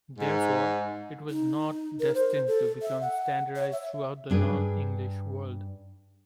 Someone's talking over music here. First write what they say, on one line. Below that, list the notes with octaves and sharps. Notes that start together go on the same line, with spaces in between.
Therefore, it was not destined to become standardized throughout the non-English world.
G#2
D#4
A#4
C5
A4
E5
F#5
C#5
E5
G2 D4 G#4 B4